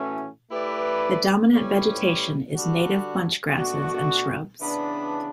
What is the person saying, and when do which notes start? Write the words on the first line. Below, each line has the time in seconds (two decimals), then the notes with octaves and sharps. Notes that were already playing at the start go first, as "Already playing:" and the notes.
The dominant vegetation is native bunchgrasses and shrubs.
Already playing: A2 E3 A3 C#4 F#4
0.49 A3 E4 G4 B4 D5
1.52 A2 G3 C#4 G4 B4
2.55 D3 G3 D4 F#4
3.58 B2 A3 D4 F#4
4.61 C#3 E3 B3 D4